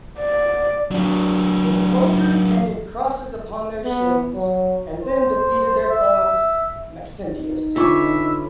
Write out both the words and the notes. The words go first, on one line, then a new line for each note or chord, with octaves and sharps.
His soldiers painted crosses upon their shields, and then defeated their foe, Maxentius.
D5
F#3 D4
B3
F#3
C5
E5
D#4
D3 C#4 F4 B4 E5 C#6 D6